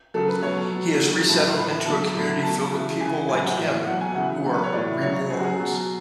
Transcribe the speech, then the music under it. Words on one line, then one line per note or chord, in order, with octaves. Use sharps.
He is resettled into a community filled with people like him who are "reborns".
C#3 F#3 A4
B4
B2 F#3 C#5
B2 F#3
C#3 F#3
A2 F#3 A5
A2 E3 B5
B2 F#3 A5
A2 F#3
B2 F#3 A5
C#3 E3
C#3 E3 G#5
A2 F#3 G#5
F#5
A2 E3
B2 F#3 F#5
G#5
C#3 E3 F#5
B2 F#3
B4
C#5
A2 E3 D5
C#3 F#3 C#5
C#3 F#3 G#4
F#4
G#4
B2 F#3